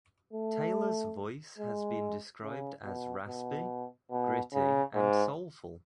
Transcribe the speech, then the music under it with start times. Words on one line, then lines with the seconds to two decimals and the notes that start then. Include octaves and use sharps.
Taylor's voice has been described as raspy, gritty and soulful.
0.33 A3
1.59 G#3
2.43 C#3
2.84 B2
3.28 B2
4.11 B2
4.54 C#3
4.95 G#2